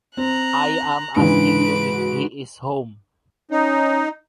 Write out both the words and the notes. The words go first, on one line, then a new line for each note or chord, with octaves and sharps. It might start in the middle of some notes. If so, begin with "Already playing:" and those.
I am asking you if he is home.
C4 A#5 F#6
G#2 C#3 E3 D4 B4 D7
F#4
C#4 D#4